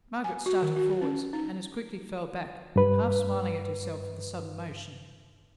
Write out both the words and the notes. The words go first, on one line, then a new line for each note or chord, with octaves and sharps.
Margaret started forwards, and as quickly fell back, half-smiling at herself for the sudden motion.
G#5
F#4
D#3
F#4
C#4
D#4
G2 B4